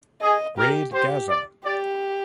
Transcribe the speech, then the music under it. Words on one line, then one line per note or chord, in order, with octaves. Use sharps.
Raid Gaza!
G#4 D#5
G4 A#4
G4 C5
D5
G4 D5